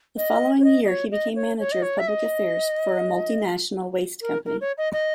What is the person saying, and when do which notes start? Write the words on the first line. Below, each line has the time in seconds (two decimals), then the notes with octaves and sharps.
The following year he became manager of public affairs for a multinational waste company.
0.17 D#5
0.60 C#5
0.64 D#5
0.84 D#5
0.88 C#5
1.12 D#5
1.36 C#5
1.59 C#5
1.72 D#5
1.82 C#5
1.99 E5
2.08 D#5
4.21 A#4
4.45 A#4
4.61 C#5
4.77 D#5
4.93 D#5